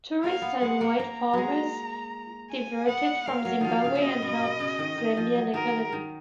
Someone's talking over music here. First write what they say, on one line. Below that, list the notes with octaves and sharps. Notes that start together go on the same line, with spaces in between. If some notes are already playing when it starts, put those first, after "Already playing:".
Tourists and white farmers diverted from Zimbabwe and helped Zambian economy.
A#3 F5
B3
G#3 F#5
A#3
A#3 A#5
F#3 G#3
G#5
B3 F#5
A#3 F5
F#3
D#3 F3 F5
C#3
C#3
B2 D#5
B2
B2
C#3
D#3
D#3
F3
F#3
D#3 A#4
D#3